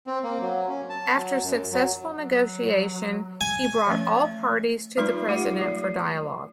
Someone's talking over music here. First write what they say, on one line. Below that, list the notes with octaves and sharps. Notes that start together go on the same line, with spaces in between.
After successful negotiation, he brought all parties to the President for dialogue.
C4
A#3
F#3
C#4
A5
F#3
F#2
F#3
F#3
G#5
F3 A3 C#4
F#3 G#3 D#4 F4 B4
A3 F4 G4 F#5 D6
F#3